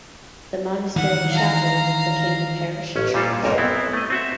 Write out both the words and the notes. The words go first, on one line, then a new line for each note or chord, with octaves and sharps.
The monastery chapel became the parish church.
D#3 E3 F#5
F5 A#5
A1 C#4
A#2 G3 F4 A4
B1 F2 G#2 A#4
B3 C4 E4
A3 D#5
C4 F#4 E5